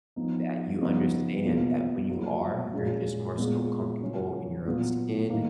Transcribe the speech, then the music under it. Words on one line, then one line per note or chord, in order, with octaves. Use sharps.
that you understand that when you are, you're just more so comfortable in your own skin
F3 B3 D#4
C#3 F3 B3 D#4
B2 A#3 F4
F#3 A#3 F4
A#2 G#3 C#4 F4
A#2 G#3 B3
C#3 F#3 C#4 F4
A#2 F#3 B3 F4
D#3 F#3 A#3